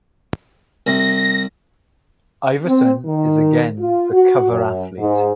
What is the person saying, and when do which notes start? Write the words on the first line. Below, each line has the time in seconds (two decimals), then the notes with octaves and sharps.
Iverson is again the cover athlete.
0.87 C2 A#6
2.67 C4
3.05 D#3
3.79 F4
4.12 F#4
4.51 F#2
4.98 G#2